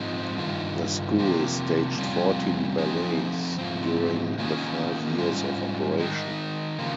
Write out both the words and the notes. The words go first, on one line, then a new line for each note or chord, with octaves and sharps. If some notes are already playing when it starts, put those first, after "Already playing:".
The school staged fourteen ballets during the five years of operation.
Already playing: G#2 F3 G#3 C4
G2 D#3 F4
C3 F3 A#3
F2 C3 G3 C#4 F4
F3 C4 D#4 G#4
G#2 F3 C4
D#3 A#3 C#4 F4 G#4
G#2 G3 C#4 F4
D#3 G#3 D#4
C#3 F3 A#3